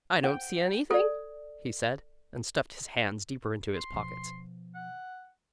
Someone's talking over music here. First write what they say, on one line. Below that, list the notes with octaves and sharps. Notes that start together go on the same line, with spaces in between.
"I don't see anything," he said, and stuffed his hands deeper into his pockets.
G5
A4 D5
C6
B2 F3
F#5